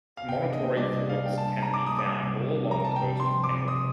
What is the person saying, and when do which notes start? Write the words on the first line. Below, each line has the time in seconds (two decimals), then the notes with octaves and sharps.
Promontory forts can be found all along the coast of Penwith.
0.17 F5
0.29 C3 G5
0.45 D4
0.53 D#5
0.61 A#3
0.77 G3 D5
0.93 C3 D#5
1.09 D4 F5
1.25 A#3 G5
1.38 A5
1.42 G3
1.50 A5
1.58 C3 A#5
1.74 D4 D6
1.86 A#3 D#6
1.99 D6
2.06 G3
2.23 C3
2.39 C3
2.56 C4
2.71 F3 A#5
2.85 C3 A5
2.96 G5
3.04 C3
3.20 C4 C6
3.36 F3
3.44 D6
3.52 C3
3.68 C3 D#6